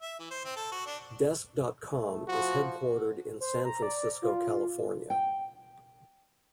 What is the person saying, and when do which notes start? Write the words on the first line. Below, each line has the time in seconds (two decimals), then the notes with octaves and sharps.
Desk dot com is headquartered in San Francisco, California.
0.02 E5
0.19 E3
0.31 C5
0.45 C4
0.56 A4
0.72 F#4
0.87 D4
1.91 A3
2.28 F3 F#4
3.40 C5
3.65 A#5
3.82 D5
4.22 F4
5.10 G5